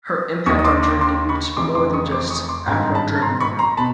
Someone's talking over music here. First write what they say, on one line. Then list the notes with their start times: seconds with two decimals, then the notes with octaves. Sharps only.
Her impact on Germany reached more than just Afro-German women.
0.46 D#2 C#6 D#6
0.49 D#3
0.59 D#6
0.64 C6 D6
0.83 C6 D6
1.01 C6 D6
1.29 B5 C#6
1.57 F1 F2 C#3 E3 C6 D6
1.75 C6 D6
1.93 C#6 D#6
2.12 C6 D6
2.30 C#6 D#6
2.48 C6 D6
2.66 G#1 G2 D#3 A#5 C6
2.84 A#5
2.95 A5 B5
3.22 A#5 C6
3.40 B5 C#6
3.59 A#5 C6
3.77 B2 A5 B5